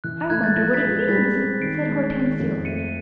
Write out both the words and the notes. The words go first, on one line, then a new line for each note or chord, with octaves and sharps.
"I wonder what it means," said Hortensio.
E3 F#6
A3 F#6 G#6
G6 A6
F3 G#6 A#6
A6 B6
G#3
G3 A6 B6
C4
D#3 C7 D7
G#3
D#3
F2
A3 C#7 D#7